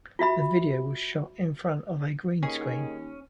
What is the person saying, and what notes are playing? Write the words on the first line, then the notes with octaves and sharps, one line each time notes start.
The video was shot in front of a green screen.
F4 F#4 E5 B5
D#2 D#3 C#4 G#4